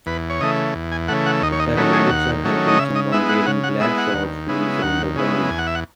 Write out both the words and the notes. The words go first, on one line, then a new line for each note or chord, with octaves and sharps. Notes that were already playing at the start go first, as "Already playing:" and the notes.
The Paramedics are helping someone wearing black shorts who is on the ground.
E2 B4
C#5
C#3 E3 A3 D#5
E2
G#5
C#3 E3 A3 F#5
F#5
D#2 D#5
C#5
D#5
D#3 F#3 A3 C#4 B4
G#4
D#2 F#5
D#3 F#3 A3 C#4
D#5
C#3 E5
D#5
G#3 B3 E4 E5
F#5
C#3 F#5
F#5
G#3 B3 E4 E5
F#5
D#2
C#3 G#3 B3 E4
D#2 F#5
C#3 G#3 B3 E4
E2 G#5
F#5
E5
F#5